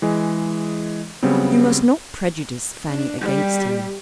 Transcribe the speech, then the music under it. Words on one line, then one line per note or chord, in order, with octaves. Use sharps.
You must not prejudice Fanny against him.
E3 G#3 G#4 D#5
C#3 F#3 G3 B3 C4
D4
G3 G4